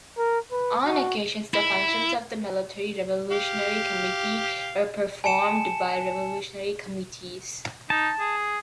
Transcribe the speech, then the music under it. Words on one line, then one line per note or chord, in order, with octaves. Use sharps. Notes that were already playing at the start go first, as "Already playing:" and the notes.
On occasions the functions of the Military Revolutionary Committee were performed by revolutionary committees.
A#4
B4
F#4
E4
G4 F5
G#5 A5 C#7 E7
D#4 A5
G#4